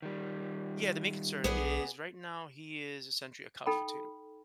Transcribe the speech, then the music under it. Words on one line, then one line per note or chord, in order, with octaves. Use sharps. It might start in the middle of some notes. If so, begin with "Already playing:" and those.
yeah, the main concern is right now, he is essentially a couch potato.
D#3 G3
B1 B3 G#4 D5
D#4 A4 G5 B5